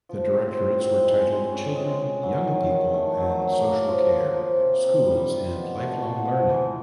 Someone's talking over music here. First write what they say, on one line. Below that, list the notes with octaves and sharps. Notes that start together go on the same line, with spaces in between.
The Directorates were titled Children, Young People and Social Care; Schools; and Lifelong Learning.
F3
C4
A2
C4
G#3
G#3
C#4
G#3
G#3
F#3
D#3
D#3
A3
F#3
F#3
A#3
F3
F3
F3
C3
C3
G3
F4
B2
A3
F#4
F3
E3